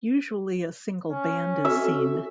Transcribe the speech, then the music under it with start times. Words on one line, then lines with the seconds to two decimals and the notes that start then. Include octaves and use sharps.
Usually a single band is seen.
1.11 C#4
1.65 C4 F#4 A4 E5